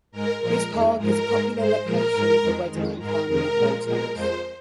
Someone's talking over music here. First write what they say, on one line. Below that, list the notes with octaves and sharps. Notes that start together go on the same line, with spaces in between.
This park is a popular location for wedding and family photos.
G#2 G#3 A#4
A#2 F3 G#3 A#4
F2 D#3 G#3
G#2 F3 G#3 A#4
G#2 G#3
G#2 G#3 C5
A#2 F3 G#3 A#4
G#2 G#3
F2 D#3 G#3
F2 D#3 G#3
G#2 G#3 A#4
F2 C3 D#3 G#3 A#4
A#2 F3 G#3
A#2 F3 G#3 A#4
F2 F3 G#3 C5